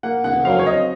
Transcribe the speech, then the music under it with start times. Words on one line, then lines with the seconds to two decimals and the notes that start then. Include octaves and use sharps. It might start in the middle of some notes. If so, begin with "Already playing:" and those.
At all.
0.03 A#3 F#5
0.24 C#3 F#5
0.45 F#3 F5
0.59 C#5
0.66 C4 D#5